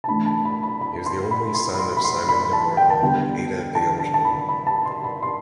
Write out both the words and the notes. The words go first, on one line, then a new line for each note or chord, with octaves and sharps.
He was the only son of Simon de Morville and Ada d’Engaine.
A5
E3 A3 D4 B5
A5
B5
B5
B5
C6
B5
C6
B5
C6
B5
C6
B5
A5
G5
A5
D3 G3 B3 G5
A5
A5
A5
B5
B5
A5
C6
B5
C6